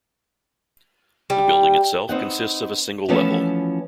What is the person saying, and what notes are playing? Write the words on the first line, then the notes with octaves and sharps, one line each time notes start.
The building itself consists of a single level.
G3
B3 C4 D#4 F#5
E3 F3 A3 B3 C#4 A4